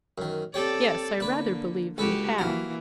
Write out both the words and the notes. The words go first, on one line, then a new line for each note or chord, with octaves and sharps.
"Yes, I rather believe we have."
F#2 D#3
C4 G4 A4 C#5 D5
D3 A#3 D4 B4
C#2 F#4 G4 A4 B4
E3 A#3 F#4 F5